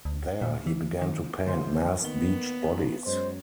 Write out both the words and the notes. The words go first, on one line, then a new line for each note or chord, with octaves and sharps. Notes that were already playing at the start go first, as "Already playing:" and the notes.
There he began to paint massed beached bodies.
D2
A#2
E3
D#3
D2 C5
D#2 D#3 B3 G7
F#2 G#3 C5